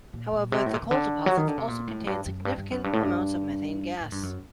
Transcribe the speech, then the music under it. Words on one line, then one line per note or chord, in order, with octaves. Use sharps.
However, the coal deposits also contained significant amounts of methane gas.
A#2
A#2
C3
A2
A#2
C3
D3
F#3
D#3
D3
C3
A#2
A2
F#2
G2
F#2
G2
G2
F#2
G2
A2
G2
A2
G2
F#2